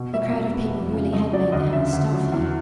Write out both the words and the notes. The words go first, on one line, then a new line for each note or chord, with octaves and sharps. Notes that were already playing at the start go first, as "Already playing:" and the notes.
The crowd of people really had made the house stuffy.
Already playing: B2
G3 E5
B2
B3
F2
C#3
A3 D#5
F#3 D5
D2 D#5
C#3 E5
D2
F#3
E2